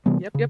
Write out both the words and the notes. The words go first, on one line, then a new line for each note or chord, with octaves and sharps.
Yep, yep.
C3 E3 G3 B3
C#3